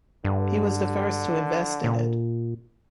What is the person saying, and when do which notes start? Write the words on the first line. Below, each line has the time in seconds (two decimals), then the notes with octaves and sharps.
He was the first to invest in it.
0.24 G2 D3
1.84 A#2